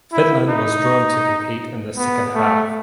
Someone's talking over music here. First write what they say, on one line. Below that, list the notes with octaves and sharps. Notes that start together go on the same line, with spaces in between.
Finland was drawn to compete in the second half.
E4
D#4
B3
A3